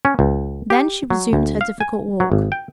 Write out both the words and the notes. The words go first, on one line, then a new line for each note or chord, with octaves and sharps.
Then she resumed her difficult walk.
C#4
C#2
G4
F#3
D2
F5
G#5
F#3
G#1
G5